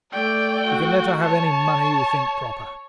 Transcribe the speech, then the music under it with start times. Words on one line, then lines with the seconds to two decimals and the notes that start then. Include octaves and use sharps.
You can let her have any money you think proper.
0.12 A3 D5 G5
0.67 F#4
1.23 C#5 A5